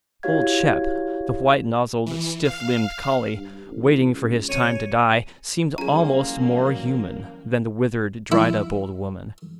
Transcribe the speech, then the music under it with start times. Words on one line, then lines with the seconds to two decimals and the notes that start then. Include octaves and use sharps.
Old Shep, the white-nozzled, stiff-limbed collie, waiting for his time to die, seemed almost more human than the withered, dried-up old woman.
0.23 E4 F#4 G4 C#5 F5 G#6
2.06 E3
2.45 F5
3.35 G2
3.67 A1
4.16 C#2
4.49 C3 C#5 G#5 C#6
5.78 E3 F#3 G3 A#3 C#4 F4 G#4 A#5
8.32 E4